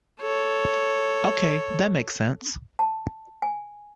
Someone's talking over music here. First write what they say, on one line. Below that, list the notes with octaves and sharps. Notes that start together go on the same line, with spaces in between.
Ok, that makes sense.
A4 C#5
A5
G#5